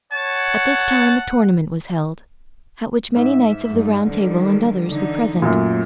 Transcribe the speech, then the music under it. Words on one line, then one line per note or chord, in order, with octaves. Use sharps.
At this time a tournament was held, at which many knights of the Round Table, and others, were present.
C#5 F#5 A5
G#2 E5
G2 D#4
D3 D#3 G3
D3 E3 D#4
F#2 A#2 F#3 A3